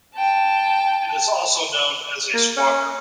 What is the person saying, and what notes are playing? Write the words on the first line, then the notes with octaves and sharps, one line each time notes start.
It is also known as a squawker.
G5 A5
A#3
C#4